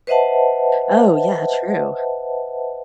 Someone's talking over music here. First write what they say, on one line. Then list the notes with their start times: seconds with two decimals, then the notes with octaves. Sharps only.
Oh, yeah. True.
0.07 B4 C5 D#5 E5 F#5 A5